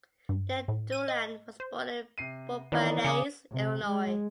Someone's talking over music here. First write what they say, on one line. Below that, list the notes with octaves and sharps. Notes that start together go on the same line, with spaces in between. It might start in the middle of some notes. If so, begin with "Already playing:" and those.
Dandurand was born in Bourbonnais, Illinois.
G2
A2
D#7
D#5
C5
C3 C7 D#7
D#3 E3 B3 C#5 D5 A#5
C#3 G#5 D6 D#6 C#7
C3
G#3